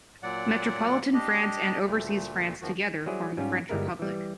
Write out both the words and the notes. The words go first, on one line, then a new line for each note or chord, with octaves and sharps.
Metropolitan France and Overseas France together form the French Republic.
A#2 F#3 D5 F#5
D4 G4 D#5
D2 A#2 A3
E2 D#3 F3 F#4
F#3 G3 E4 G#4 C5 D5
G#2 G3 C#4 F4 G4
G1 G3 G#3 E4 A#4
E3 G3